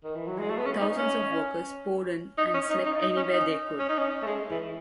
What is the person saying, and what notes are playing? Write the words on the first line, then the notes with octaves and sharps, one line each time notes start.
Thousands of workers poured in and slept anywhere they could.
D#3
E3
F#3
G#3
A3
B3
C#4
D#4
C#4
D#4
C#4
D#4
D#4
D#4
C#4
D#4
C#4
D#4
C#4
A3
G#3
E3